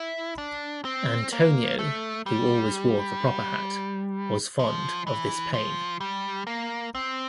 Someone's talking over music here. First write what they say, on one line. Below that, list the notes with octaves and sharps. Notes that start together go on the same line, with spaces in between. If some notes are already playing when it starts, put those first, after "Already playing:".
Antonio, who always wore the proper hat, was fond of this Pane.
Already playing: E4
D4
C4
A#3
A3
G3
F3
E3
F3
G3
A#3
C4